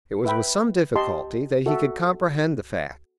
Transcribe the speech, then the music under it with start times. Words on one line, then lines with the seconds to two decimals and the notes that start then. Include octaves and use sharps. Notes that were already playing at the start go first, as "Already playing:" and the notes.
It was with some difficulty that he could comprehend the fact.
0.25 B4 E5 G5 B5
0.96 G4 D#5 A5 C6
1.66 F#4 A4 E5